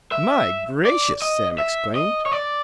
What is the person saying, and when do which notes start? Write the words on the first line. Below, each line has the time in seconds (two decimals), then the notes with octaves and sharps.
"My gracious!" Sam exclaimed.
0.12 E5
0.85 D5
1.22 D#5
1.58 E5
1.96 D#5
2.26 C#5
2.32 D5